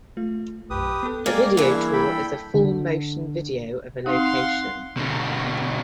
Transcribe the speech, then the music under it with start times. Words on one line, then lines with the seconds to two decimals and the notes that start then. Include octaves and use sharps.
A video tour is a full motion video of a location.
0.17 A3 F4
0.70 B1 F#2 G4 B4 D#6
1.03 B3 A4
1.26 G#3 A#3 D5 F5 G5 G#6
1.57 G2 E3 D4 G#4 G#6
1.93 A4 G5 B5
2.54 D3
4.06 C4 D#4 F5 F#5 C6
4.97 B2 D3